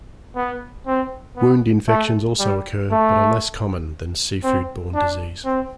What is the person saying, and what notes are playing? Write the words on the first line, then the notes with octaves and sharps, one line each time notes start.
Wound infections also occur, but are less common than seafood-borne disease.
B3
C4
B3
A3
G3
A3
C4
D4
C4